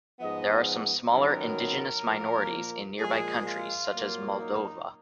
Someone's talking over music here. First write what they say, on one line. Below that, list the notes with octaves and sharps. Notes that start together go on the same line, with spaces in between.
There are some smaller indigenous minorities in nearby countries such as Moldova.
G#2 F3 B3 D#5
F#2 D#3 F#3 B3 A#4
A#2 F3 A#3
A#2 F3 G#3 G#4
F4
A#2 F#3 A#3
D#4